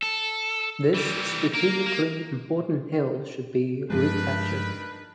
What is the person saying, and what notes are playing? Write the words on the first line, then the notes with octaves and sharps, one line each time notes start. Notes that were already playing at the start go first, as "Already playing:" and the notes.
This strategically important hill should be recaptured.
A4
E3 G3
A#3 A#4
A#3
G2 D#3 F3 G#3 D4 B4